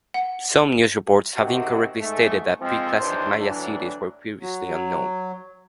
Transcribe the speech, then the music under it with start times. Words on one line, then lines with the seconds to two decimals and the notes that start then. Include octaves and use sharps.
Some news reports have incorrectly stated that Pre-Classic Maya cities were previously unknown.
0.14 F#5
1.37 C3 D#3 C4 F#4
2.00 G#2 A3
2.61 F3 G#3 C4
2.98 D#2 E3 D4 C5
3.39 D2 A2 E3 F#3 D4
4.42 F#3